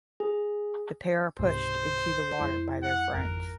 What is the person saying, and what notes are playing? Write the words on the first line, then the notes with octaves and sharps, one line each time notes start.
The pair are pushed into the water by their friends.
G#4
C#2 G#2 C3 C5
F2 G#3 E4
F#5
G#1 F2 A#4 F#6